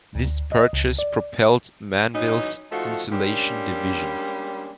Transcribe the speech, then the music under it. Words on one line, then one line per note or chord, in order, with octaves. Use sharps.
This purchase propelled Manville's insulation division.
D2
D#5
C#2
D5
E3 F#3 C#4 D#4
F3 A3 D#4 F4 F#4
G3 G#3 A#3 C#4 D4